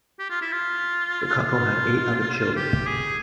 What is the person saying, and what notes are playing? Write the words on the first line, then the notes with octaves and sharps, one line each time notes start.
The couple had eight other children.
G4
F4
E4
F4
F4
G4
G#4